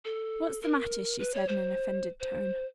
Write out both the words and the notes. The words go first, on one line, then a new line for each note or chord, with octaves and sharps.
"What's the matter?" she said in an offended tone.
A4
A#4
B4
C#5
C5
C5